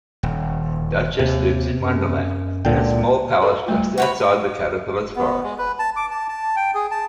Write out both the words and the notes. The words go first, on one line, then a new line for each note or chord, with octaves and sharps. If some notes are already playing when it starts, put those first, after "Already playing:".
The Duchess lives in Wonderland in a small palace just outside the Caterpillar's forest.
D#1
D#2 C3
F#2
C#2 A#2 D3 G5
A4
G3 A3 F4
F#4 C#5 B5
B3
G#3
B4
A5
D6
A5
A5
G5
G#4
A5